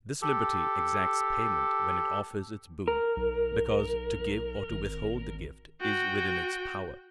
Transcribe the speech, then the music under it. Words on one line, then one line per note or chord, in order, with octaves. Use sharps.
This liberty exacts payment when it offers its boon, because to give or to withhold the gift is within its power.
G4 A4
A#4
B1
G#1
F#4 G5